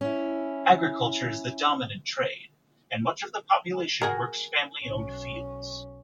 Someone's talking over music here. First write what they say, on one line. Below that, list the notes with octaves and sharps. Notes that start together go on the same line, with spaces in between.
Agriculture is the dominant trade, and much of the population works family-owned fields.
C#4 E4
F#4 G#4 A#4
B1 C#4